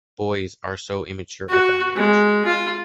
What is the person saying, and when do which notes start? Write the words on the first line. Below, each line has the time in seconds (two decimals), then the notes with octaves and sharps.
Boys are so immature at that age.
1.49 F#4
1.96 G#3
2.45 F4